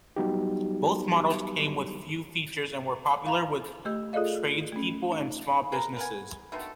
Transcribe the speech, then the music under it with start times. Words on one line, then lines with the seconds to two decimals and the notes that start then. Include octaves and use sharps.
Both models came with few features and were popular with tradespeople and small businesses.
0.16 F#3 G3 B3 D#4 F#4 G4
3.26 F5 A#5 B5
3.85 A3 G4 D#5 E6 G6
4.13 F4 G#4 A4 D5 D#5 F5
4.72 A3 C#4
5.12 D#4
5.72 G#4 A#4 B4 A#5
5.97 A#4 B4 F#5 G#5
6.52 B2 D3 D#3 A3